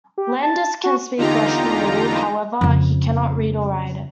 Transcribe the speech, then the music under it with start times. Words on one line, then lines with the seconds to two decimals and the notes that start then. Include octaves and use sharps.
Landers can speak Russian a little; however, he can not read or write it.
0.18 G4
0.43 A5
0.84 F#4
1.17 E2 D3 D#4 F4 G4 A#5
2.61 F2 C#3